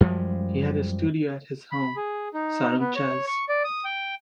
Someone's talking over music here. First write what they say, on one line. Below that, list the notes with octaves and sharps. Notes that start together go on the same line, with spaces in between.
He had a studio at his home, "Sarum Chase".
F#2 F3 G3 G#3
B5
G#4
D#4
B3
C#5
C#6
D5
D#6
G5